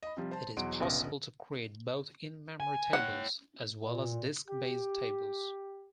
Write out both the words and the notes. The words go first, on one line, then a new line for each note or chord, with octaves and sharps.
It is possible to create both in-memory tables, as well as disk-based tables.
D#5 B5
C3 F3 G3
C5 A5
E2 B2 F#3 F#5 C6 D7
F1 A#1 C#3 B3 F4 A#6
G#5
C#5 F#5 G5
A#2
G4